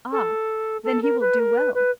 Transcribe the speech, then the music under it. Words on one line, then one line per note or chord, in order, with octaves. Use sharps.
"Ah! then he will do well."
A4
A4
A#4
B4
A#4
B4
B4